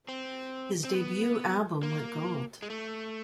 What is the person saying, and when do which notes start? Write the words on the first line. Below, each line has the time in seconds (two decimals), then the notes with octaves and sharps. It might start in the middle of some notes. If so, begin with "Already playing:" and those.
His debut album went gold.
0.09 C4
0.85 C4
0.95 B3
1.83 A#3
2.62 G#3
2.70 A3